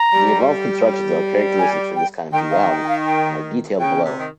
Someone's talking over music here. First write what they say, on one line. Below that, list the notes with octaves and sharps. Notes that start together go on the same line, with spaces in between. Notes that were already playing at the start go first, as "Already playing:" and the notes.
The involved constructions are characteristic for this kind of duality, and are detailed below.
Already playing: A#5
G3
G#5
G5
D#3 G5
F5
G5
G5
F5
G5
C#3 G5
C3
D#3